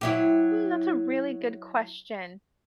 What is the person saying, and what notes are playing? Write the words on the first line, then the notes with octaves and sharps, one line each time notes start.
Hmm, that's a really good question.
F#3 E4 G4